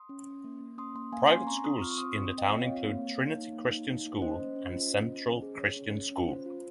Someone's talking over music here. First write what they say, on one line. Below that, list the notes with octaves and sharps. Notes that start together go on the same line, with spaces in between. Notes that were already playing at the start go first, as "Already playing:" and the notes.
Private schools in the town include Trinity Christian School and Central Christian School.
Already playing: C6 D#6
C#4
C#4
A#3
A#3
C#4 C6 D#6
A#3 C6 D#6
A#3 F5 G#5
C#4 G#5 C6
C4 A#5 C#6
C4 C6 D#6
F4 C#6 F6
C#6
C4 C6 D#6
C4
C4
D#5 G5
F4
C#5 F5
C4
A#3
A#3
A#3
D#4
A#3
D#4
D#4
A#3
C#4 C5 D#5
C#4
C#4
F4
C#4
C#4
C#4
G#4
G#4 C#5
C#4
C#4
C#4
F4 C5
F4